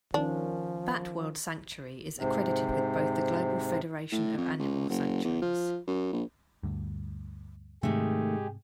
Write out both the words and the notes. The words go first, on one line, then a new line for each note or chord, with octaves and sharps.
Bat World Sanctuary is accredited with both the Global Federation of Animal Sanctuaries.
D#3 F3 C#4 D4
G#2 C3
A2
F2
C#2
F#1
E2
F3
F#2
A#1
D2 G2
G#2 C3 D#3 G#3 A3 G4 G#4